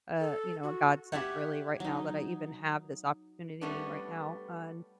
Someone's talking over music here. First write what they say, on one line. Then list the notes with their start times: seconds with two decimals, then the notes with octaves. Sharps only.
uh, you know, a godsent really right now that I even have this opportunity right now, and
0.20 A4
0.63 F#4
1.12 G4 C#5 E5 F#5
1.80 F#3 D#4
3.61 G3 A3 B3 C#4 D4